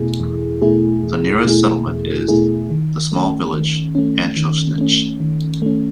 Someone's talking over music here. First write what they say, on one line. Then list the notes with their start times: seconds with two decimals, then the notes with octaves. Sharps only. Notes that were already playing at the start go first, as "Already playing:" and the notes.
The nearest settlement is the small village, Achosnich.
Already playing: E2 B2 A3 E4 G#4
0.20 E2
0.62 B2 A3 E4 G#4
1.03 E2
1.45 B2 A3 E4 G#4
1.86 E2
2.28 B2 A3 E4 G#4
2.70 D#3
3.12 A3 C#4
3.53 D#3
3.95 A3 C#4
4.37 D#3
4.78 A3 C#4
5.20 D#3
5.62 A3 C#4